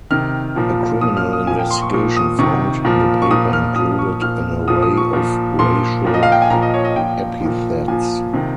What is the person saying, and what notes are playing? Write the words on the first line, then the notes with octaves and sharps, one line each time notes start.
A criminal investigation found the paper included an array of racial epithets.
C3 D#3 F6
A#2 F3
A#2 F3 D#6
F6
D#6
A#2 F3 G#5
G5
C6
C#6
A#2 F3 C#6
D#6
C3 D#3 C#6
A#2 F3
C#6
A#2 F3 D#6
F6
A#2 F3 D#6
C#6
A#2 F3 F6
A#2 F3 D#6
D#6
C#6
A#2 F3
A#2 F3 C6
A#2 F3
D#5
F5
G5
G#5
A#2 F3 A#5
D#5
C#5
D#5
A#2 F3 G5
A#2 F3
A#2 F3 G#5
C3 D#3